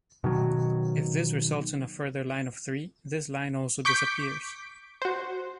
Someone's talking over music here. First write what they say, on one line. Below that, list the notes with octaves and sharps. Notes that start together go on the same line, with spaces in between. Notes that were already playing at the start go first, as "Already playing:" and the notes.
If this results in a further line of three, this line also disappears.
B2 D#3 F#3
C#6 D6 G6 B6 D7
F#4 C5